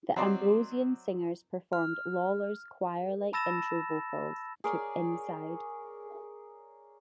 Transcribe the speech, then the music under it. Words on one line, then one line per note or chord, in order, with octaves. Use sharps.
The Ambrosian Singers performed Lawlor's choir-like intro vocals to "Inside".
F#3 C4 C5 D5 D#5
F6
A5 B5 E6 A6 A#6 E7
G#4 A#4 C#5 D5